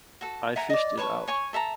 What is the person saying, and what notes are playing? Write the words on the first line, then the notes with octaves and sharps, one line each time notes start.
I fished it out.
F#4 A4
E5 F#5 G#5 A#5
D5 D#5
B4 C#5 A5 C#6
C#5 G#5 C#6
A4 E5 A5 A#5